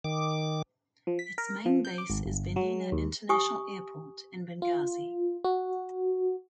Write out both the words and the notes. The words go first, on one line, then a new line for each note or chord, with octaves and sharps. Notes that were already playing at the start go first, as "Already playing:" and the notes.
Its main base is Benina International Airport in Benghazi.
D#3 D6
F3
B6
A#4
F3
G6
D6
G#1
G1
F#3
D#2
G4 G#5 C#6 D#6
F4
F#4